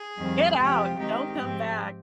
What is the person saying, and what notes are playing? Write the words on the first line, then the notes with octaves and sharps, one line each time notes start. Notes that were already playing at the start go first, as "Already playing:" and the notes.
Get out, don't come back.
Already playing: G#4
F2 D#3 G3 C4
F2 C3 F3 G#3 G4
D#3 G#3 C4 D#4 G4
G#2 F3 G#3 C4